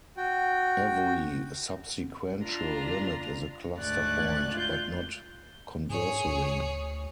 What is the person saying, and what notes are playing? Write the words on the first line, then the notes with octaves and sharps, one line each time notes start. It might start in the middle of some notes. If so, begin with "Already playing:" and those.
Every subsequential limit is a cluster point, but not conversely.
F#4 G5
D4 F4 A#5
D2 G#2 A3 D5 F#6 G#6
F4 G6
G#2 G#4 C#5
D2